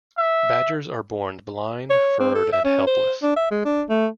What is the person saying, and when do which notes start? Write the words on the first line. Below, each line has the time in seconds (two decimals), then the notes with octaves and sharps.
Badgers are born blind, furred, and helpless.
0.18 E5
1.90 C#5
2.20 C4
2.35 A4
2.52 E5
2.65 C#4
2.87 C5
3.22 D4
3.36 E5
3.51 G#3
3.65 D4
3.89 A3